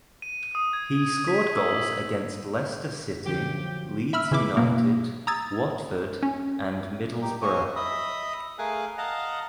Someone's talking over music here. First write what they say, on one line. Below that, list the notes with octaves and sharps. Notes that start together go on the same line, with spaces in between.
He scored goals against Leicester City, Leeds United, Watford and Middlesbrough.
D#7
D#6
G#6
B6
E6
F#7
D3 F3 F#3 G4
E5 B5 E6 F6
C#3 E3 E4 E5 D6
B2 A#3
A#5 D#6 E6 G#6 A6
C#4
D#4 G4
F4 F#4 C5 C#5 G#5 C#6
D#5 E5 B5 D#6
A3 G#4 A#4 F5 G#5 F#6
D#5 F5 F#5 A5 A#5